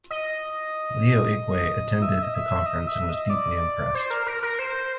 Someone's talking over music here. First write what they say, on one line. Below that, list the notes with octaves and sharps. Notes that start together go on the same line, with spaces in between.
Leo Igwe attended the conference and was deeply impressed.
D#5
E5
D#5
E5
D#5
E5
D#5
D5
C5
A#4
A#4
A#4
C5